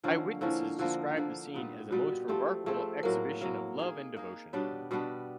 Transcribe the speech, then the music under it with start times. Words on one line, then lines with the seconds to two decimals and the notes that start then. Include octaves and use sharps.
Eyewitnesses described the scene as a most remarkable exhibition of love and devotion.
0.04 D3 F3 A#3 C#4 F4
0.41 D3 F3 A#3 C#4 E4
0.79 D3 F3 A#3 F4
1.17 D3 F3 A#3
1.54 A#2 G3 B3 D#4
1.91 A#2 G3 B3 D#4 F#4
2.28 F3 A3 C4 G4
2.66 F3 A3 C4 G#4
3.03 A2 F#3 A#3 A#4
3.41 A2 F#3 A#3
3.79 A#3 D#4 G#4
4.17 A#3 D#4 G#4
4.53 B2 G3 B3 D4 C#5
4.91 B2 G3 B3 D4